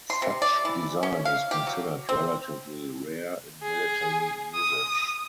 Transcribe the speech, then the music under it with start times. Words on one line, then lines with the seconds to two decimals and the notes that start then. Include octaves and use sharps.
Such design is considered relatively rare in military usage.
0.10 C6
0.22 C3
0.42 D5
0.65 E3
1.03 C#4
1.25 F5
1.51 G4
1.67 F#3
2.09 C4
3.63 G#4
4.55 D#6